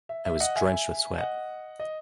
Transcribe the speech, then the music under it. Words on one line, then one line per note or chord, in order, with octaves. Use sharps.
I was drenched with sweat.
E5
E5
D#5 F#5
E5 G#5
D#5 F#5
D#5